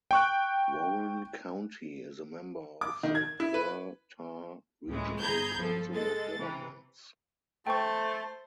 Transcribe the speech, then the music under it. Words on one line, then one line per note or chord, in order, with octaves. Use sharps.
Warren County is a member of the Kerr-Tar Regional Council of Governments.
G5 C#6 F#6
D6
D#3
G#6
E4
B4
C#2 A2 E3 G#3
G1 G#4 A#5 B5 G6 G#6
F3 A4
G#3 A4 A6
C3 E3
A3 C5 G5 A5 C#6